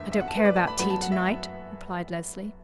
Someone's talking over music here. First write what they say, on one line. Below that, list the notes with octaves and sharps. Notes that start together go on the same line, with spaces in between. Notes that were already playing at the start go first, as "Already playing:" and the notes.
"I don't care about tea to-night," replied Leslie.
Already playing: F#1 E2 D3 E5
E5
F#5
A5
B4
D5
A5
B5
F#2 F#3 B3 B5
A5
F#5
E5